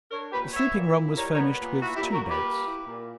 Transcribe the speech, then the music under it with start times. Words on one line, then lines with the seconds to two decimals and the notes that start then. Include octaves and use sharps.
The sleeping-room was furnished with two beds.
0.11 D4 A#4 C#5
0.32 A#2 G4 B4
0.53 B3 C#5 E5
0.75 A#2
0.95 E4
1.16 G3 A#4 C#5
1.32 A#4 C#5
1.38 B3
1.59 A#2
1.80 E4 F#4
1.96 E4 G4
2.02 A#2
2.11 F#4 A#4
2.22 A#2
2.27 G4 B4
2.44 A#3
2.65 E4
2.86 A#2